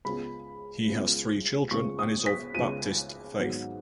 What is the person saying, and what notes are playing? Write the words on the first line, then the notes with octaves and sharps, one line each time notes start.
He has three children and is of Baptist faith.
C#2 C#3 G#3 B3 F4 B5
C#2 C#3 G#3 B3 F4
C#2 C#3 G#3 B3 F4 C#6
D#6
B6
C#2 C#3 G#3 B3 F4 D#7
G#1 G#2 F#3 B3